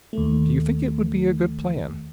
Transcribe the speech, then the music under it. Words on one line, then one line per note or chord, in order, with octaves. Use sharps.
"Do you think it would be a good plan?"
D#2 A3